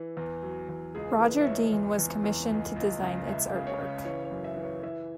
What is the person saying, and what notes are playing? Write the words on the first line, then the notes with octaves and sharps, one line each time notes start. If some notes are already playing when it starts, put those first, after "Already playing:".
Roger Dean was commissioned to design its artwork.
Already playing: E3
E2
F#3
E2
C#2 G#4
E3 B4
E5
C#2 C#5
E2
E2
E2
C#2
C#2
C#3
C#2 E5
C#3
C#5
C#3
E3 C#5
C#5
F#2
E5
E3
C#5
E3 E5